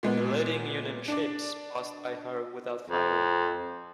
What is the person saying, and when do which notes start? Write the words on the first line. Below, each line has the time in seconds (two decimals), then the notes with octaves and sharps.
The leading Union ships passed by her without firing.
0.03 A#2 G#3 B3
1.08 D4 D5
2.90 F2